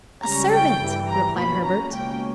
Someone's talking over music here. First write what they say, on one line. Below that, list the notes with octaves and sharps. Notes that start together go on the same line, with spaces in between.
"A servant!" replied Herbert.
C#2 C#3 G3 C#4 A#5
G5
G2 E3 G3
A#5
B2 A#3 C#4 B5
A#5
C#2 B2 A#3 C#4 G5